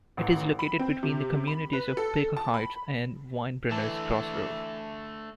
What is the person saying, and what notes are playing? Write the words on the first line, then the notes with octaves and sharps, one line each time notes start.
It is located between the communities of Baker Heights and Winebrenners Crossroad.
A1
B5
C4
C3
B5
B4
A4
A5
B5
E3 A3 D4 A5 E6